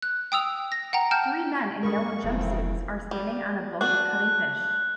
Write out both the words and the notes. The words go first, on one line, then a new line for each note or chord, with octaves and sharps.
Three men in yellow jumpsuits are standing on a boat cutting fish.
F#6
G5 D#6 E6 F7
A#6
F#5 G5 A#5
G5 A5 F6 G6
G2 G#3 A#4 B5 C#6 D#6
F1 A#1 E2 C#3 A3 C4
G3
D4 F#4 F#6